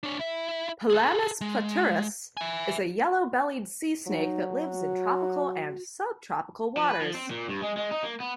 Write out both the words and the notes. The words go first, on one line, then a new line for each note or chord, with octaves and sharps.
"Pelamis platurus" is a yellow-bellied sea snake that lives in tropical and subtropical waters.
D4 C#5
E4 E5
G#4 A4
G#3
E5 G#5
F#3 D#4
F#4
F3
B4
F3
C4
A#2
G2
G#3
G#3
D#4
A#3
B3